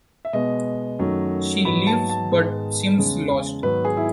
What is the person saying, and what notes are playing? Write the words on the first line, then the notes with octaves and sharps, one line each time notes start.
She leaves but seems lost.
E5
B2 G#3 B3 D#5
F#2 D#3 F#3 A3
G#2 F#3 B3 B5
A5
A5
G#2 D#3 G#3 B3
E2 C#3 G#3
G#2 D#3 F#3 B3 B4
G#4
E4